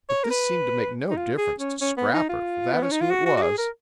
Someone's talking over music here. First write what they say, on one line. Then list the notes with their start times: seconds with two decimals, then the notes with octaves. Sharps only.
But this seemed to make no difference to Scrapper, for that is who it was.
0.09 C#5
0.24 A#4
0.31 B4
1.11 D#4
1.17 F4
1.38 G#4
1.60 C#4
1.81 C#4
1.97 B3
2.14 D#4
2.29 F4
2.73 B3
2.83 C#4
2.92 D#4
3.01 F4
3.11 F#4
3.26 F#4
3.37 F#4
3.42 G#4
3.58 A#4